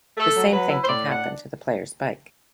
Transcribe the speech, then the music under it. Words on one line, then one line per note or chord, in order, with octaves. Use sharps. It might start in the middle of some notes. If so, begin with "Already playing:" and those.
The same thing can happen to the player's bike.
A3 A4
F#3
F#3 B4
E4
C5
A2 D5
D4
F#5